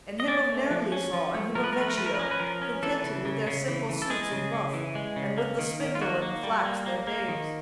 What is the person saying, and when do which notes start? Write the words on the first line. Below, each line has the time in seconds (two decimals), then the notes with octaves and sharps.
And him of Nerli saw, and him of Vecchio, Contented with their simple suits of buff And with the spindle and the flax their dames.
0.20 D#5
0.28 C#4 D5
0.49 A3
0.71 F3
0.92 C#4
1.13 F3
1.34 A3
1.55 F3 A#4
1.64 B4
1.72 A#4
1.77 A3 B4
1.89 A#4
1.97 F3 B4
2.06 A#4
2.14 B4
2.19 C#4 A#4
2.31 B4
2.40 F3 A#4
2.62 C#4
2.83 E3 A4
3.04 C#3
3.25 C#3
3.47 C#3
3.68 E3
3.89 E3
4.02 A4
4.10 G#3 G#4
4.31 C#3
4.53 C#3
4.74 E3
4.95 G#3
5.16 C#3
5.38 A#3
5.59 D#3
5.80 D#3
5.95 F4
6.01 A#3 F#4
6.22 A#3
6.44 G3
6.65 A#3
6.86 A#3
7.07 A#3
7.28 D#3